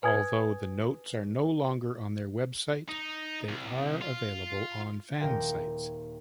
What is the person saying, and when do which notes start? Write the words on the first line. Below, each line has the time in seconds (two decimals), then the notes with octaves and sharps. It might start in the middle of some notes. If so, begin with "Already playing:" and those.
Although the notes are no longer on their website, they are available on fansites.
0.03 B4 G#5 D#6 G#6
2.89 D#4
3.49 C2
4.01 F4
5.19 D#1 A#4 F5 G5 C6